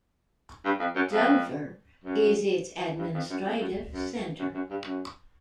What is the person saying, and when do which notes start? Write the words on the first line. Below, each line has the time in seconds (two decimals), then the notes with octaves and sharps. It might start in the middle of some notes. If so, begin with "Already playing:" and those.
Dover is its administrative centre.
0.64 G2
0.79 F2
0.95 F#2
1.11 F2
2.04 F#2
2.98 G2
3.14 F2
3.30 F#2
3.45 F2
3.60 F#2
3.92 F#2
4.39 F#2
4.54 F#2
4.70 G2
4.85 F#2